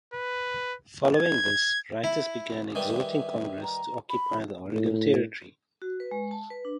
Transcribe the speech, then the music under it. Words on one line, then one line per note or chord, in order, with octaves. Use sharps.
Following this, writers began exhorting Congress to occupy the Oregon Territory.
B4
G#6
E4
D#3 E3 G3 E5
A#5
B5
A2
F#4
B4
G#3
A5
B4
D4